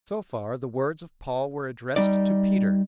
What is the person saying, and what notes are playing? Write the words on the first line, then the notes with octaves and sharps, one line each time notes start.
So far, the words of Paul were addressed to Peter.
G3 D#4 D5